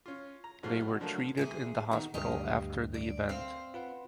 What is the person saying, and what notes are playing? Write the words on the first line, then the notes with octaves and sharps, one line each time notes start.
They were treated in the hospital after the event.
C#4 F4
A#5
G#2 F#3 A3 F4
B2
D3 F3 F#3 A3 A#3
C3 E3 G#4
B2 D#3
D2 G2 G4 D#5 F5
D5
C4 C5 F5
F4 B4 F#5